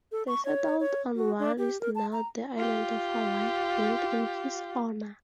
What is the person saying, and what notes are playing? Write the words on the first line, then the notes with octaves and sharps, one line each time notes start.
They settled on what is now the Island of Hawaii, named in his honor.
A4
C#6
C#5
C#5
F#4
D4
G4
A#4
A5
A#5
F4 G4